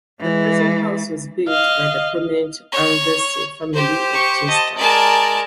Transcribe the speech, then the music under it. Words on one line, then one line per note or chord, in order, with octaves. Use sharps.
The present house was built by the prominent Aldersey family of Chester.
E3 G#3
D#5 F5
C#5
G4 C5
C#6
D#5 A5
G#3 A#4 D5 A5